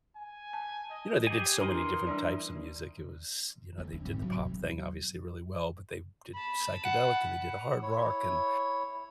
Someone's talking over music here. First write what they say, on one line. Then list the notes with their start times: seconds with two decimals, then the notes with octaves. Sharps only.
you know, they did so many different types of music, it was you know, they did the pop thing obviously really well, but they did psychedelic, and they did a hard rock, and
0.16 G#5
0.53 A5
0.91 D#5
1.27 G4 G#4 G#5
1.61 E3 D4 A#4 C6 D#6
2.07 G3 D4 D5
3.78 E3 A#3
3.92 D4
4.05 G#1 G2
4.22 F#3
4.37 E1 A1
6.34 A5 B5
6.85 F#5
7.83 E4 C#5